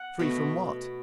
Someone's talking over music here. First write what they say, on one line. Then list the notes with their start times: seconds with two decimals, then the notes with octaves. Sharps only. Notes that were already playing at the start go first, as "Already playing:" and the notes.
Free from what?
Already playing: F#5
0.19 B2 A3